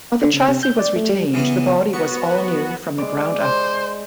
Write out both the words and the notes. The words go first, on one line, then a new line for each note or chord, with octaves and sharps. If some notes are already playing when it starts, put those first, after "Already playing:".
While the chassis was retained, the body was all-new from the ground up.
D3
C#3
C3
G6
D5
A3
G3
C#3 E3 B3
B3 F#4 C#6
G#3 D5
C5